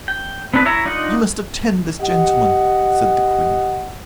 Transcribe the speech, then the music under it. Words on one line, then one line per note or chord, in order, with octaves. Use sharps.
"You must attend this gentleman," said the Queen.
G5
B3 C4 D4 G#4 B4
E4 C#5 E5 A#5
D4 D#4 F4 D#5 F#5
G4 D#5 F#5